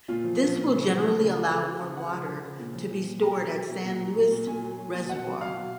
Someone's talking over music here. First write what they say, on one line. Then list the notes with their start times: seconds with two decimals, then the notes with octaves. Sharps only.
This will generally allow more water to be stored at San Luis Reservoir.
0.08 A#2 F4
0.24 F3
0.40 F3
0.56 A#2
0.71 C#3
0.87 F3
1.03 F3
1.18 C#3
1.24 G#4
1.34 C#3 F#4
1.49 F3 G#4
1.65 F3 F#4
1.81 C#3
1.96 C#3 F#5
2.12 F3
2.28 F3
2.43 C#3
2.59 A#2
2.75 F3
2.90 F3
3.06 A#2
3.22 B2 A#5
3.37 F#3
3.53 F#3
3.69 B2
3.85 A#2
4.00 F#3
4.16 F#3
4.31 A#2
4.47 A#2 G#5
4.63 F#3
4.78 F#3
4.94 A#2
5.09 B2 F#5
5.26 F#3
5.41 F#3 F5
5.57 B2